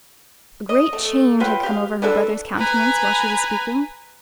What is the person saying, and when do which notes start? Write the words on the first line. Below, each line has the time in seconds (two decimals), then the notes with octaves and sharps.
A great change had come over her brother's countenance while she was speaking.
0.69 D#5
0.93 A3
1.40 F#3 F4 B4 G5
1.63 G4 F5
2.02 E3 D4 A4 E5
2.57 B4 G#5 A#5